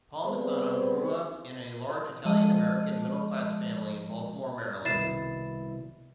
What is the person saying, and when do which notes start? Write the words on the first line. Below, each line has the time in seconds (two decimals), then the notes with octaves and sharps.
Palmisano grew up in a large Italian-American middle class family in Baltimore, Maryland.
0.24 G3 B3 C4 G#4 C5
2.25 F3 G#3 D#5 A5 D#7
4.85 C2 B2 D#3 E4 A6 C7 E7